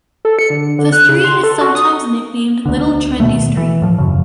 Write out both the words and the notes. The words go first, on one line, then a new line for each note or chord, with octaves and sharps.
The street is sometimes nicknamed Little Trendy Street.
A4
C#7
D3
D3
F#6
C#3
C6
A4
F#4
D#6
D2 D3
D2 B2 D#3 A3
E3
A2 F3
E1 F#2 C#3